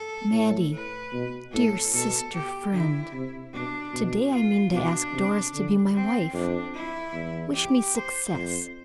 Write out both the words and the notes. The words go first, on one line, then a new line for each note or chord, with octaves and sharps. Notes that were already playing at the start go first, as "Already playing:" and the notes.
"Mattie, dear sister-friend, to-day I mean to ask Doris to be my wife. Wish me success."
Already playing: A4
A2
B4
B2
A2 A4
B2 A4
G4
D3 E4
C3
B2 D4
B2
F4
B2 D4
C3
D3
C4
F2 D4
E4
E2
G4
C5
F2